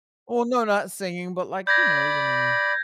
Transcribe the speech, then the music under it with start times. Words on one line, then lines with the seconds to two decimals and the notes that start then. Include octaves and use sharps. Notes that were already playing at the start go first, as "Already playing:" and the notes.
Well, no, not singing, but, like, you know, even in
1.67 D5 B5 G6 G#6 A#6